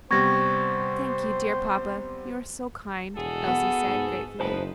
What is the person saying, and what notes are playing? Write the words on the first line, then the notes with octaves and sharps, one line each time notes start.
"Thank you, dear papa, you are so kind," Elsie said, gratefully.
C3 G3 B3 C5 C#6 G#6 A#6
E1 F#4 G#4 A4
B3
G#2
F#1 D#4 B4 C5 A5